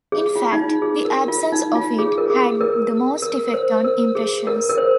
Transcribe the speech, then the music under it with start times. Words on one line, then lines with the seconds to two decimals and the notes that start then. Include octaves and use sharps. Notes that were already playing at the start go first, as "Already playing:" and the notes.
In fact the absence of it, had the most effect on impressions.
0.12 G#4
0.36 F4
0.53 D#4
0.58 F4
0.82 G#4
1.05 A#4
1.28 F4
1.52 D#4
1.75 F4
1.99 G#4
2.18 A#4
2.30 G#4
2.61 A#4
3.22 A#4
3.49 A#4
3.54 C5
3.84 A#4
4.15 G#4
4.47 A#4
4.69 A#4
4.78 C5